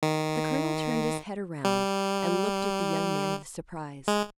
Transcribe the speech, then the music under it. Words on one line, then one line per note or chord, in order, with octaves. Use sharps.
The colonel turned his head round, and looked at the young man with surprise.
D#3
G3
G#3